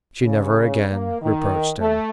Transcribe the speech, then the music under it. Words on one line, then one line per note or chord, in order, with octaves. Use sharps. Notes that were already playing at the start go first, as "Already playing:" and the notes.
She never again reproached him.
C#3
A#3
D#3
A3